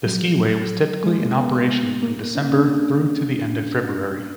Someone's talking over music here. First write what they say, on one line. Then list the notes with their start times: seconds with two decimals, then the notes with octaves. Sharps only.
The skiway was typically in operation from December through to the end of February.
0.06 F#3
1.04 G#3
1.20 A#3
1.37 B3
2.03 A#3
2.35 C#4
2.52 D4